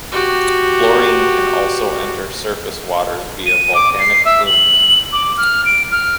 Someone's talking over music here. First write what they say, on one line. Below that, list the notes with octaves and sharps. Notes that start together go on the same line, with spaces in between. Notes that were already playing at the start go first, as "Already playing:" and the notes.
Fluorine can also enter surface waters via volcanic plumes.
F#4 G4
D#7
D6
C7
E5
F#7
D6
F6
D7
F6